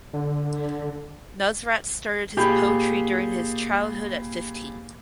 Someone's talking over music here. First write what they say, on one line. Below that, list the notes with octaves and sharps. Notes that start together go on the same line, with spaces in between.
Nusrat started his poetry during his childhood at fifteen.
D3
A#2 G4 G#4 B5 G6